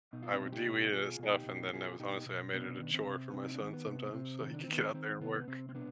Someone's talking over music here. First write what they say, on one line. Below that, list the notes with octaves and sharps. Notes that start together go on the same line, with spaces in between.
I would de-weed and stuff, and then that was honestly, I made it a chore for my son sometimes so he could get out there and work.
B2 D#4
F4
C4 D#4
B2
D#4 G4
B2
B2 F4 G#4
B2 G#4
D#4 G4
B2
G4
B2 F4 G#4
B2 D#4 G4
B2
C3 B3 D4
D#3
C4
C3
B3
C3 C4
D#4
D4
D#3 C4
B3
C3
C3 C4
D#3
D4
C4
D#3
B3
C4
D#3 C4
C3 B3
C3 C4
C4
B2 B3 D4